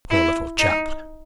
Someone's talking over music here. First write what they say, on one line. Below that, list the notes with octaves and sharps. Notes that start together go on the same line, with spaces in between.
Poor little chap!
E4
D#4